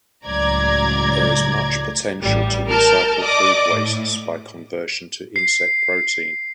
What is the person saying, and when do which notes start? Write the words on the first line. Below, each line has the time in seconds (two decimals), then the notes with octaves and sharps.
There is much potential to recycle food wastes by conversion to insect protein.
0.24 C#2 A2 F#3 D5 A#5 G#6
2.20 A1 G3
2.68 A#4 A5 F6 G6
3.21 D5 D#5 D6
3.72 A2
5.36 C7